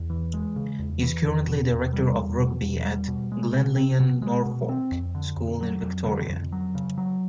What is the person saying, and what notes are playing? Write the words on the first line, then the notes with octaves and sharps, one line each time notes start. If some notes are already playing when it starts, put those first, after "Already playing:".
He is currently Director of Rugby at Glenlyon Norfolk School in Victoria.
Already playing: E2
E3
G#3
C#3
E2
E3
E2
B2
E2
G3
E2
B2
E2
G3
B2
G#3
B2
C4
B2
G#3
B2
C4
F2
D3
F2
F#3
F2
D3
F2
F#3
C#3
F#3